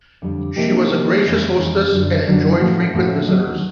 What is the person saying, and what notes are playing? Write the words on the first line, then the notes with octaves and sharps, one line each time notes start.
She was a gracious hostess and enjoyed frequent visitors.
F2 D3 G3
C3 F3 A#3 D#4 G4
C3 F3 A#3 D#4 G4
F2 C#3 E3 G#3
F2 C#3 E3 G#3
F#2 D3 F#3
F#2 D3 F#3
A2 F3 A3 C#4 F#4
A2 F3 A3 C#4 F#4
D#2 D#3 F#3